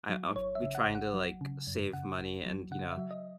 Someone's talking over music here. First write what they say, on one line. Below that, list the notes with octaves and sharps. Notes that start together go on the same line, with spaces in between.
I I'll be trying to, like, save money and, you know,
F#3
G#1 C#5
E5
C#3
F#5
G#1
F#5
F#3
C#3
F#2
C#3 F#5
G#1
F#3
C#3 F#5
E5
F#3
D#5